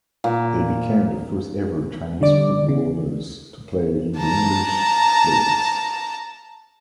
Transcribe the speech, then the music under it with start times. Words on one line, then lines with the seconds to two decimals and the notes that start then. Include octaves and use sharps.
They became the first ever Chinese footballers to play in the English leagues.
0.24 A#2
2.21 D3 G3 D5 D6
2.69 C#3
4.18 A5 A#5